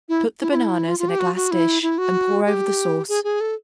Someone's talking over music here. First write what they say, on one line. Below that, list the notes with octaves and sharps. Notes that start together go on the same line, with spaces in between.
Put the bananas in a glass dish and pour over the sauce.
E4
E4
F4
E4
F4
F4
G4
F#4
F#4
E4
E4
F#4
G4
G#4
G#4
A4